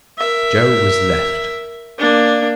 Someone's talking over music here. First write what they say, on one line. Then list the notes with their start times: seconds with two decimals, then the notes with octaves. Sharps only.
Joe was left.
0.18 A#4 E5
1.98 A#3 D4